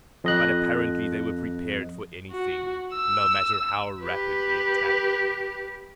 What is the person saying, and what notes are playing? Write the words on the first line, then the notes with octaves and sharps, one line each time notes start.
But apparently they were prepared for anything, no matter how rapid the attack.
F2 D#5 F#6
F#4
E6
G4 B4